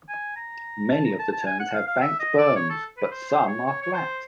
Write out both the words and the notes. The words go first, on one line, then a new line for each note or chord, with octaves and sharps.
Many of the turns have banked berms, but some are flat.
G#5
A#5
A5
A#5
A5
A5
G#5
F#5
F5
F5
E5
D#5
D5
C#5
A4
B4
C5
C5
C#5
C#5
C#5
C5